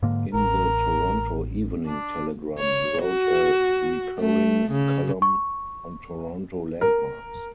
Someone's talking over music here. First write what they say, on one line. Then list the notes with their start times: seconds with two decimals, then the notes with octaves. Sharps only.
In the Toronto Evening Telegram he wrote a recurring column on Toronto landmarks.
0.03 G#2 D3 A#3
0.34 A1 A#4
1.87 D4
2.59 C#5
3.03 F#4
4.19 A3
4.71 C#3
5.22 C#6
6.81 A#4